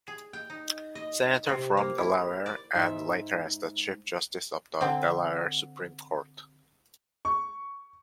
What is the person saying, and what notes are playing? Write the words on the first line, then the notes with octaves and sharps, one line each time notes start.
Senator from Delaware, and later as the Chief Justice of the Delaware Supreme Court.
G#4
G5
D#4
D#5
C3
A#3
E4
D5
G#2 E5
D3 C4
C#6